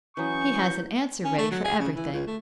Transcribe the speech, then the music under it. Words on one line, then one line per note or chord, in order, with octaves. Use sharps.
He has an answer ready for everything.
E3 F#3 C#4 G#5 C#6 D#6 G6
C#4
A3
F#3
G#4
C#3
E3
C#2
A3